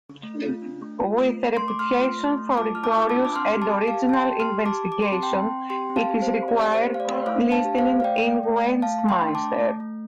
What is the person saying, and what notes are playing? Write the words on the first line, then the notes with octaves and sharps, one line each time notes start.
With a reputation for rigorous and original investigation, it is required listening in Westminster.
A3
F4
D4
A3
F4
A3
A3
A3 C6
D6
A3 C6 F6
F4
A3
A3
F4 A5 D6
A3 F6
A5 D6
F4
A5 D6
D4
D6
C4 C6 F6
G4
A5 D6
G4
F5 A5
G4
A5
G4 G5 C6
G4
C6 F6
G4
A5 D6
G4
G4 D6
C6
C4 A5
G5 C6
C4
C4
G4 G5 C6
C4
F5 A5
G4
C5 F5
C4
G4 D5
A3
C5
G4
F5
D5
A3
A3 C5 F5
D4
F5 A5
G4
C5 F5
A3
F5
A3 D5 G5
A3
A3
A3
A3 F5 A5
A3
G5 C6
D4
A5 D6
A3
A3
A3